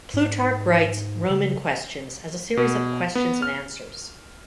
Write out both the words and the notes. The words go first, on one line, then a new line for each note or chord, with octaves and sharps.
Plutarch writes "Roman Questions" as a series of questions and answers.
G#2
C#3
B2
B3
F6